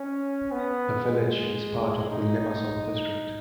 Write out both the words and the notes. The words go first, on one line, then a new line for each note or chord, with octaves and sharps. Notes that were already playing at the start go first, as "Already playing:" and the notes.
The village is part of the Limassol District.
Already playing: C#4
B3
G#3
D#4